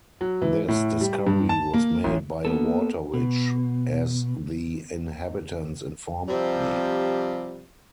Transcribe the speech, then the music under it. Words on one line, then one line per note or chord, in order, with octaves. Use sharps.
This discovery was made by a water-witch, as the inhabitants informed me.
F#3
E3
A2
G3
G2
A5
A#3
A1
A#3 B3 A4
B2
C3 F3 G3 C4